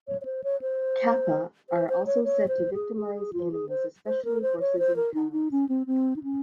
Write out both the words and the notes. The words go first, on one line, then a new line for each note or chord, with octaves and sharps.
"Kappa" are also said to victimize animals, especially horses and cows.
C#5
C#5
C5
C#5
C5
C5
C5
C#5
C#5
C5
G#4
G#4
G#4
F4
G#4
C5
C5
A#4
C5
C#5
C5
A#4
D#4
D#4
C#4
C4
C4
D#4
C#4